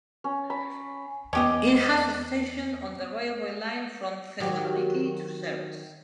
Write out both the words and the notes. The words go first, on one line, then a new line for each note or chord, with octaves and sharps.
It has a station on the railway line from Thessaloniki to Serres.
C#4
B5
E2 B3 C#4 G4 D#5
D#3 F#3 G4